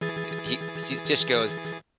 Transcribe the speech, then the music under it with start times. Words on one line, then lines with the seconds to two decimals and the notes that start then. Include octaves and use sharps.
uh, he sees just goes
0.01 E3 G#4 A6